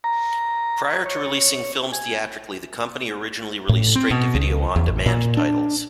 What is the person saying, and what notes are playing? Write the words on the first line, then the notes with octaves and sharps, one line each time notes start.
Prior to releasing films theatrically, the company originally released straight-to-video on demand titles.
A#5
C#5
G#5
A2
C4
B2
C#2
E2
A1
A#2
D4